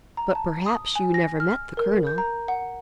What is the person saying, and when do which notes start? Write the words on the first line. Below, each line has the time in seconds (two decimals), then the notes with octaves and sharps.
"But, perhaps, you never met the colonel."
0.17 A#5
0.35 A5
0.66 D#6
0.96 G#5
1.14 A#6
1.40 F6
1.77 A#4
2.07 G6
2.18 A#5
2.48 F#5